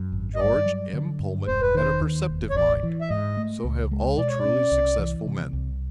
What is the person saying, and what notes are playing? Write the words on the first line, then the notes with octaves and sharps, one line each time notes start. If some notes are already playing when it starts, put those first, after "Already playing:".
George M. Pullman had a perceptive mind--so have all truly successful men.
Already playing: F#2
G#1
D#5
G2 D5
F#3
D3
G2
E1 C5
B4
D#3 C5
D#2
E1
C#5
A1 D5
E3
E5
G#2 D#5
A3
C#2
G#3
B2 D5
C#5
D5
C#4
C2
E3
C3
C2